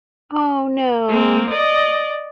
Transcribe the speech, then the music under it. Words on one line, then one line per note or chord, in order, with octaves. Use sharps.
Oh, no.
A#3 C4
D5 D#5